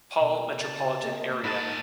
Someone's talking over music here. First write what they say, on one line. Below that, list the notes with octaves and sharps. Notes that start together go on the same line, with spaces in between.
Paul metropolitan area.
B2
C#3 A5
A#3 G#4 A#4 D#5
G#2 A#3 D#4 A5 B5 D#6